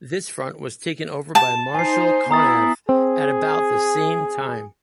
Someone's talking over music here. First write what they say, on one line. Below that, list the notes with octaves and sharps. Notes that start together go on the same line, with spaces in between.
This Front was taken over by Marshal Konev at about the same time.
A5
D#4 C5 G#5 C7
B3 E4 A#5 D#6 A6
C4 G#4